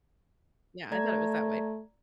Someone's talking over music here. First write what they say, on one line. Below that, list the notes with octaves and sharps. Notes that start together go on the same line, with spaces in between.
Yeah." I thought it was that way.
A3 D5 A#5 G#6